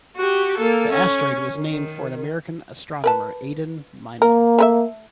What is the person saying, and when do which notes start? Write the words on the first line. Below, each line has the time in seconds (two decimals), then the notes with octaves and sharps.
The asteroid was named for American astronomer Aden Meinel.
0.17 F#4 G4
0.57 A#3 A4
0.93 C#4
1.57 D#3
3.04 A#4 B4 A5
4.22 A#3 A#4
4.59 A3 B4 E5